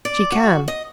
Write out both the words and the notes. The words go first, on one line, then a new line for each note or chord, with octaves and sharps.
She can!
D5
F#4
D#5